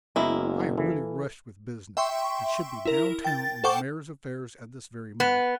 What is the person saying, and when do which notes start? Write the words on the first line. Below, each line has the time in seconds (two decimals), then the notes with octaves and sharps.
"I am really rushed with business and should be down-town on the mayor's affairs at this very moment."
0.16 F#1 F#2 G#3 A#3 B3 E4
0.78 E3 A4
1.97 E5 G5 C6 C#6
2.86 E4 A#4
3.25 G5 A6
3.64 A4 C5 F#5 G5 C#6 D6
5.20 B3